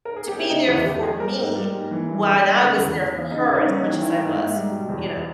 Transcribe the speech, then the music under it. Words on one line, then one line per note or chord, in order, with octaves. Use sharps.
to be there for me when I was there for her as much as I was, you know
A#4
G#4
G4
E4
C#3 D#4
E2 E4
E2 G4
G#3 G#4
G3 A#4
G#2
G3
G#2
E3
G2
G2
G#3
C#3
E2
E2
E3
C#3 D#4
D#2
D#4
G3 C#4
D#4
E3
D#3 E4
G#2
G#2
G3
B2
E2
E2